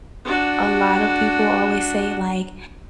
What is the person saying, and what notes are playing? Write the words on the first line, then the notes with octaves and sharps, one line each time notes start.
a lotta people always say, like
D4 F#4